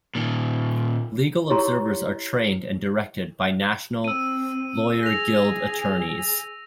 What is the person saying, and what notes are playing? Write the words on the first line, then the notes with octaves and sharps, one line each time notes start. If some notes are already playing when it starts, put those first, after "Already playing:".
Legal Observers are trained and directed by National Lawyer Guild attorneys.
A#2 D#3
E4 G4 A#4 C#5 A#5 C6
C4 E6 D#7
G#4 A#6 F7